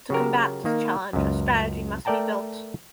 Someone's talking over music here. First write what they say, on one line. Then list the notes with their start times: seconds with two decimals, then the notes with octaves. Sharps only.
To combat this challenge, a strategy must be built.
0.10 C#3 F#3 F#4 G4 A#4
0.65 D#3 A#3
1.13 C#2 F#2
2.05 A3 A#4 D5 G5 A5 A#5